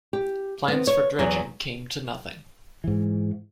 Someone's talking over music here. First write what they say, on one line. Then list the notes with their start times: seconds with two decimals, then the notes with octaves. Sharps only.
Plans for dredging came to nothing.
0.13 G4
0.68 B3 C4
0.87 C#5
1.19 E2 F#3
2.84 G#2 E3